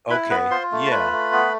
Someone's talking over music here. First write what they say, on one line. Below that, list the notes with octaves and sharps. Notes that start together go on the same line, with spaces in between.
Okay, yeah.
E4 B4 B5
B3 B4 B5
F4 C5 C6
A3
A5
F4 B4 B5
A3
B3